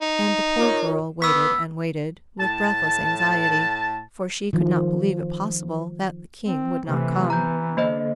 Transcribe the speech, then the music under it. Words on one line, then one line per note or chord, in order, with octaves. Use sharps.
And the poor girl waited and waited, with breathless anxiety--for she could not believe it possible that the king would not come.
D#4
F4 A#4 C#5
B3 B4 C#6 E6 B6
A2 A5
D#3 F3
C4
C3 E3 A3
B3 A#5 G6
D3 A#3 C5 D#5